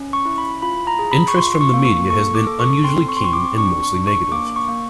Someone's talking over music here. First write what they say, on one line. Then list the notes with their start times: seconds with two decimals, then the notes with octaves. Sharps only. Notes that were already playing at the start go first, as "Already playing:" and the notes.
Interest from the media has been unusually keen, and mostly negative.
Already playing: C#4
0.13 C#6
0.25 E4
0.38 B5
0.62 F4 B5
0.87 A#5
0.99 G#4
1.12 B5
1.28 C#6
1.36 F4 C6
1.61 C#6
1.74 A#3
1.85 C#6
2.10 A4 C#6
2.35 D6
2.47 A4
2.60 C#6
2.84 C4 C6
3.08 C#6
3.17 C6
3.21 C4 C#6
3.33 D6
3.58 D4 C#6
3.83 C#6
3.95 D4
4.07 C#6
4.32 A#3 D6
4.56 C#6
4.68 A#3